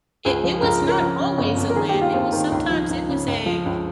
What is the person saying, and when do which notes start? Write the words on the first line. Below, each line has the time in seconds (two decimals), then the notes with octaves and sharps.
It it was not always a lamb, it was sometimes it was a
0.25 C#2 G#4
0.44 F3
0.62 C#2 A#4
0.82 C#3
0.88 A#4
1.01 F3
1.19 C#3
1.38 G1
1.57 F2
1.70 A#4
1.76 D#3 G#4
1.89 G4
1.94 D#2
2.01 F4
2.14 D#2 C4
2.32 D#3
2.51 C#2
2.70 F3
2.89 C#2
3.09 C#3
3.28 C#2
3.46 F3
3.66 C#2